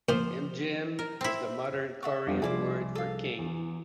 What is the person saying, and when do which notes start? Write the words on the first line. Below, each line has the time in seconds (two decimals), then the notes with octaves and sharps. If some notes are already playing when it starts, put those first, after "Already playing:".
"Imgeum" is the modern Korean word for "King".
0.09 A#2 F3 C5
0.99 A#4
1.21 C4 E4
2.03 E5 F#5 C#6
2.27 F2 G3 B3 D4 F4 G4
2.42 C2 F3 D4 E4 G#4 C5 D6
2.95 A4 F5
3.38 E2